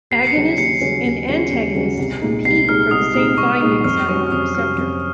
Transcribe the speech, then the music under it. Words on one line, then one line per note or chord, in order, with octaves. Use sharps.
Agonists and antagonists "compete" for the same binding site on the receptor.
D#2 C7
C#7
C#3 F#3 C#4
D#2 C#7
C#3 F#3 C#4
D#2
C#3 F#3 C#4
D#2
C#3 F#3 C#4
C2
A#2 G#3 D#4
C2 C7
A#2 G#3 D#4 F6
C2 D#6
A#2 G#3 D#4 D#6
C2 C#6
A#2 G#3 D#4 D#6
F2 F6
C3 F#3 C#4 C#6
F6
F2 D#6
D#6
C3 F#3 C#4 F6
F2